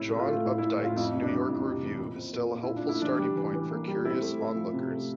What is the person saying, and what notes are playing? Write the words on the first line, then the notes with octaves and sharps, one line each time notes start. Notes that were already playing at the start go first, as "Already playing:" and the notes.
John Updike's New Yorker review is still a helpful starting point for curious onlookers.
Already playing: A2 C3 E4
A3
F4
A3
A2 E4
E4
A2
A2
F4
F2 E4
C3
D4
G3
F2 E4
C3
E3
A#2
C4
A#2
A#2 F4
E4
A#2
D4
A3 E4
E3 D4
G3
E3
E3
A#3
G3
C4 E4
A3
A3
F3
C3
A3